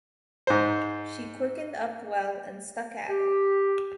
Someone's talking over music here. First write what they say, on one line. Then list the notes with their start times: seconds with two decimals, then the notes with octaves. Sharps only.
She quickened up well and stuck at it.
0.47 G#2 C5
3.09 G4